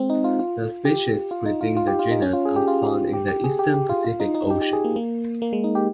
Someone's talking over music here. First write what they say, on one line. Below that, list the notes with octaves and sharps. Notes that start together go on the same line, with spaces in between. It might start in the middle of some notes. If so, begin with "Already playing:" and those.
The species within the genus are found in the eastern Pacific Ocean.
Already playing: G#3 C4
D#4
F4
F4
G4
F4
D#4
F4
F4
G4
F4
D#4
C#4
F4
G#4
G4
F4
G4
G4
G#4
G4
G4
F4
F4
D#4
D#4
G4
G4
G#4
A#3
A#3
A#3
G#3
D#4
G4